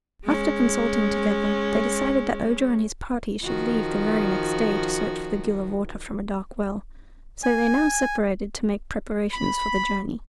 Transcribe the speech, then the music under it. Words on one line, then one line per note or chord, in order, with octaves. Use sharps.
After consulting together they decided that Ojo and his party should leave the very next day to search for the gill of water from a dark well, so they now separated to make preparations for the journey.
G#3 C#4
D#3 F3 F#4
G#5
B5